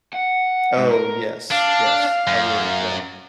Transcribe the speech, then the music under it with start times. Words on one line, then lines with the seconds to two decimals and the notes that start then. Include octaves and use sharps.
Oh, yes, yes, I would, yep.
0.13 F#5
0.77 G#2
0.91 A#4
1.51 D4 F5
2.27 F#2